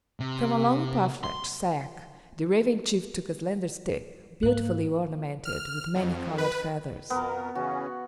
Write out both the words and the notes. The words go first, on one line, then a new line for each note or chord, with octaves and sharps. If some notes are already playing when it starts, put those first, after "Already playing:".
From a long parfleche sack the Raven chief took a slender stick, beautifully ornamented with many-colored feathers.
C3
C6
G#2 A#3 F#6
F6
F2
B4
F2 B2 B3 A#4
C#3 E3 C#4 F#4